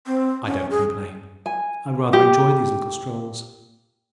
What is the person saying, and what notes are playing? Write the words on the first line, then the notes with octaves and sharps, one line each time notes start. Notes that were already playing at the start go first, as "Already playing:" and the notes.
I don't complain; I rather enjoy these little strolls.
C4
C#4
G#4
G#5
G4